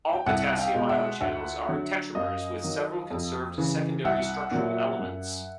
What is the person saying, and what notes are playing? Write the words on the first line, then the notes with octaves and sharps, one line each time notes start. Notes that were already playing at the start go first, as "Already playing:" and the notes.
All potassium ion channels are tetramers with several conserved secondary structural elements.
G5
C2 E5 F#5
F5 G5
B2 G#3
E5 F#5
D2 E5 F#5
D3 F#3
F#2 D#5 F5
D#3 F#3
F2
C#3 E3
C2 E5 F#5
A#2 F#3
F#2